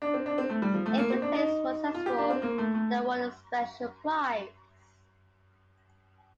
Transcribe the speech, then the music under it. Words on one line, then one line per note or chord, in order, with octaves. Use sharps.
If the players were successful they won a special prize.
D4
C4
D4
C4
A3
G3
F3
A3
A#3
C4
D4
D#4
F4
G4
D4
C4
A#3
A3
A3